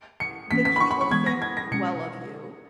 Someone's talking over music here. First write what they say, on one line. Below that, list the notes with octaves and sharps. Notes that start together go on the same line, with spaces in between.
then he will think well of you,
C#7
E3 A#3 C#4 B6
B6
B5
C#6
B5
C#6
E3 G#3 B3 G#6
A#6
G#6
A#6
B2 G#3 C#4 C#7